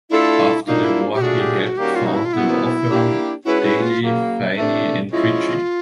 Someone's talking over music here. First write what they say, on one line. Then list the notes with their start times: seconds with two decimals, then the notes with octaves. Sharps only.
After the war he helped found the law firm, Daley, Phinney and Ritchie.
0.10 A3 D4 E4 F4 A4
0.66 A#2 F#3 A#3 D4 D#4 F4
0.84 E4
1.14 G4
1.21 F#3 A3 D4 F4 F#4 G#4
1.40 G4
1.59 F#4
1.77 D#3 G3 A#3 C#4 F#4 G4
1.96 F4
2.06 D#4
2.15 E4
2.25 F4
2.33 A#2 F#3 B3 E4
2.89 A#3 D4 G4
3.44 G#3 C#4 E4 F#4 B4
3.63 E4
3.82 F4
4.00 C#3 F#3 A#3
4.56 C3 E3 A3 D4
5.11 F3 G#3 C#4 E4 F4